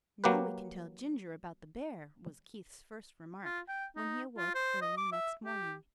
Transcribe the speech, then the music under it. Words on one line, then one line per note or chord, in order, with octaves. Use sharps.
"Now we can tell Ginger about the bear," was Keith's first remark, when he awoke early next morning.
F#3 A#3 G4 B4
F4
G5
D#4
F4
C5
D#5
D6
E5
G4